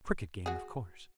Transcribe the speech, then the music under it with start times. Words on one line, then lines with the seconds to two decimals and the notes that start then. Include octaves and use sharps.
A crooked game, of course.
0.46 F#4 G#4